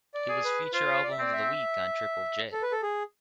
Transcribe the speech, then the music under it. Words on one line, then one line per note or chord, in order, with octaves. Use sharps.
It was Feature Album of the Week on Triple J.
D5
G#4
B4
F4 C5
D5
E5
C4 D5
E5
A4
B4
A4
G#4